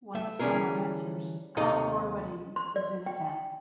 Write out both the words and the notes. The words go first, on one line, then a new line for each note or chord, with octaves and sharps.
Once someone answers, call forwarding is in effect.
A3 E5
D3 E3 G3 C#4 G#4 A#4
D#2 C3 D#4 A4 D#5 A#5
C6
D5
G5